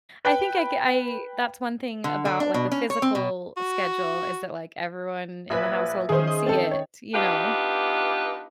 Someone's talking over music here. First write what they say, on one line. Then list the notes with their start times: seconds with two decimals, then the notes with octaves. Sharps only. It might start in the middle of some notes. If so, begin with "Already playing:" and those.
I think I c I, that's one thing about, like, a physical schedule, is that, like, everyone in the household can see it, you know?
0.25 B4 G5
2.04 D3
2.25 D3
2.40 D4
2.54 B2
2.72 C#4
2.90 C#5
3.02 C4
3.15 B2
3.57 F#4
5.50 A#1 B4 E5 G#5 B5
6.09 D#3 C#4 G#4 C5
6.27 D#5
6.46 C4 A4 G5 A6
6.71 C#5
7.14 B3 D4 D#4 F4 G4 B4